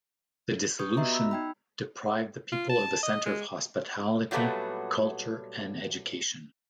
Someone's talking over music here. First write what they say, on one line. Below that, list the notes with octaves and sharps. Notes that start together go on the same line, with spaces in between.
The dissolution deprived the people of a centre of hospitality, culture and education.
G4 B4 C#6 D#6 G6
B3 F#4 D#5 E5 A#5
B5 E6
D#4 G5 B5
F4
A5
D#5
G#3
A#2 F#3 G3 A3 B3